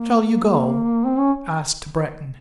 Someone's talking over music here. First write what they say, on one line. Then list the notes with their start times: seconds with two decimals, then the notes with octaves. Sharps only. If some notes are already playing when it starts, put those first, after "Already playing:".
"Shall you go?" asked Breton.
Already playing: A#3
1.06 C4
1.18 C#4